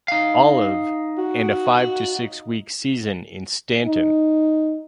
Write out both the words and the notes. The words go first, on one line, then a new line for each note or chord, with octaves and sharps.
Olive and a five to six week season in Staunton.
D#4 F5
F#4
D#4